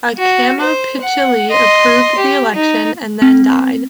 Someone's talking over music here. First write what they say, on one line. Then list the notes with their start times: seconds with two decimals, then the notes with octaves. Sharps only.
Acamapichtili approved the election, and then died.
0.18 F#4
0.60 C5
1.01 F#5
1.51 D#5 C6
2.18 G4
2.55 D#4
3.22 C4